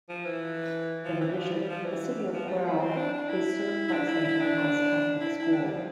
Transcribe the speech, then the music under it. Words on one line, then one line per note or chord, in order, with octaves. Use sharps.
In addition, the City of Cuero is served by Saint Michael's Catholic School.
F3
E3
F3
E3
G3
F3
G3
F3
E3
F3
G3
B3
C4
D4
D4
E4
E4
D4
E4
E4
D4
E4
E4
D4
G3
F3